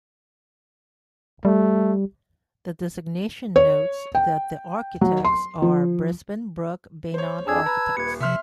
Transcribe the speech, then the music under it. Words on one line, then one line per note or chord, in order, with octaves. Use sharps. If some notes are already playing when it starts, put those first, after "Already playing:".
The designation notes that the architects are Brisbin Brook Beynon Architects.
G3 A3
C#5
G5
F#3
C6
F3
C5 C#5
F2 D4 G#4 A5 E6 G#6
B4 A#5
D#1 G#6 C#7
C3 F3 E5 C6 F6